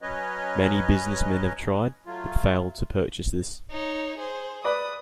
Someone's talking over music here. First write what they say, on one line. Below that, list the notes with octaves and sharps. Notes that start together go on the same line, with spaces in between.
Many businessmen have tried, but failed to purchase this.
F#3 C#4 B4 C#5 D#5
F#3 A3 F4
D#4 C#5
G#4 C5
B4 D5 D6 D#6